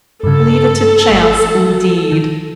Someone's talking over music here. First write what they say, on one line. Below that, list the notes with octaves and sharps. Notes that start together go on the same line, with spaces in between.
Leave it to chance indeed!
G2 C#3 A4
G1 A3
F#4
D#3